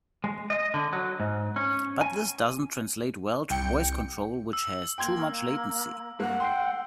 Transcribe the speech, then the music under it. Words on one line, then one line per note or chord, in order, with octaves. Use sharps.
But this doesn't translate well to voice control, which has too much latency.
G#3
D#5
D3
F#3
G#2
C#4
G#5
C2 G5 C#7
E6
A#3 G5 C6 G#6
G2 A#3 F#5 F#6
G5 C6 C7